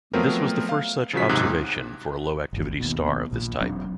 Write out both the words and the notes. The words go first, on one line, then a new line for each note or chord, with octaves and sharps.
This was the first such observation for a low-activity star of this type.
F3 F#3 A3 B3 C4 A#4
F5
C#3 F3 F#3 F#4 B6
D#2 G#2 C3 D#6 F#6
G1 D#2
D#2 B2
A#1 A#2
E1 F#3 C4 D4